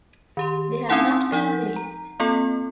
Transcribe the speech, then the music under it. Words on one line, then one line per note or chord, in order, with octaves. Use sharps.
They have not been released.
D#3 G4 C6
C4 C#4 D#4 E4 F#5 C6
F3 D#4 F#5 G6 B6
A#5
A#3 C4 F4 A4